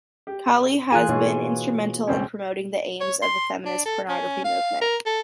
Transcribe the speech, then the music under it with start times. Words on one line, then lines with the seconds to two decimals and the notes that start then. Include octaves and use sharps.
Kali has been instrumental in promoting the aims of the feminist pornography movement.
0.27 G4
0.92 E3 F4 G#4 G#5 F#6
1.09 G#2 B2 G#3 A#3 C#5
2.07 C#2 C4 C#4
3.01 C#5
3.22 C6
3.65 D4
3.86 A4
4.09 C#4
4.45 F5
4.81 A#4
5.06 A4